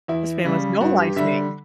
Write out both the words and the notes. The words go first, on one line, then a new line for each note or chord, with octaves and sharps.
This man was no lifing.
E2 E4
C#3 G3
G2 F#4
G4
D3 G3 E5